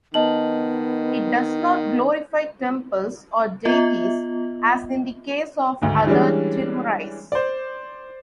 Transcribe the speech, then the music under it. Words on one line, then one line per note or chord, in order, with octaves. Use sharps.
It does not glorify temples or deities as in the case of other "Tirumurais".
D#3 B3 D#5 A5 F#7
B3 F4 D#5 E5
D2 G#2 D#3
E3 G3 G#3 C#4 D4
C5 D5